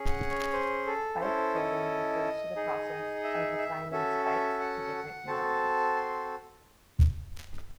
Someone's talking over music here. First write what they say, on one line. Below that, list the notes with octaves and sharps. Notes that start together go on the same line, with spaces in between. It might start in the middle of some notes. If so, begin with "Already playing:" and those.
Spike sorting refers to the process of assigning spikes to different neurons.
Already playing: C#4 G#4
F#5
C#5
C5
A4
C#4 E4 A4 C5
D#5
D#4 G#4
E5
E5
C#4 F#4 A4 E5
E5
F#5
C4 F#4 A4 A5
C6